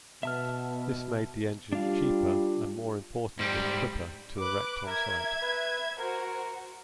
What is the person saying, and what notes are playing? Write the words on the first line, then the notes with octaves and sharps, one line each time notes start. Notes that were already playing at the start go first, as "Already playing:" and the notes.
This made the engines cheaper, and more importantly quicker, to erect on site.
B2 E5 A5 F6
G3 D4 F4 F5
G#2 G3
B4 D6 F#6
A#4 E5 G#6
B4
F#4 A#4 C5